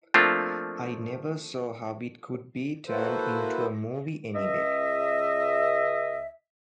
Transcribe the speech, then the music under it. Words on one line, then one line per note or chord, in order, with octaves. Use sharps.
I never saw how it could be turned into a movie anyway.
F3 A3 A#3 C4 D4 F4
A#3 E4 F#4 A4 B4 C5
C#2 D#5 E5